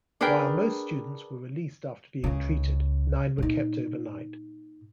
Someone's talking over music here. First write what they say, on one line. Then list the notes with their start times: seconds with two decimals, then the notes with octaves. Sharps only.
While most students were released after being treated, nine were kept overnight.
0.21 D4 G#4 A#4 B4 G5
2.24 C#2 C#3
3.38 A#2 D#4